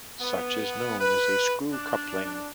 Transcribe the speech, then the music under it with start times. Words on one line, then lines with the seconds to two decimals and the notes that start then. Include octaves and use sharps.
Such is known as a 'screw coupling'.
0.21 B3
1.00 B4
1.72 D4